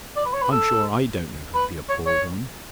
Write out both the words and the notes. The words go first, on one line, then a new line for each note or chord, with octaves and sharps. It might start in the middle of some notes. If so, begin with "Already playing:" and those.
I'm sure I don't know who'd be a poor woman!
D5
B4
C#5
B4
A4
B4
C#5
C#5